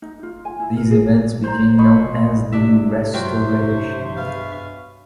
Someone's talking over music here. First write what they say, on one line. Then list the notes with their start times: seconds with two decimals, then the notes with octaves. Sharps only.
These events became known as the "Restoration".
0.02 D#4
0.23 F4
0.45 G#5
0.60 E4
0.77 A#4
0.91 G#4
1.44 C5 A#5
1.78 C5 D#5 B5 C#6
2.53 C3 D4 E5
3.14 G2 F#3 F4 C5 E5 G5 C#6
4.17 G#3 B3 F5